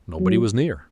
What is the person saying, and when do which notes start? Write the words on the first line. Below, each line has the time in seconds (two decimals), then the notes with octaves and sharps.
Nobody was near.
0.19 F#3